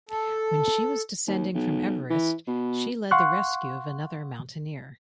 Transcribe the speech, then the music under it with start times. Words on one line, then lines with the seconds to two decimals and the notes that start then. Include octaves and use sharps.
When she was descending from Everest she led the rescue of another mountaineer.
0.09 A4
1.27 D#2
1.54 B1
2.10 E3
2.47 B2
3.11 F5 F#5 C6 C#6 F#6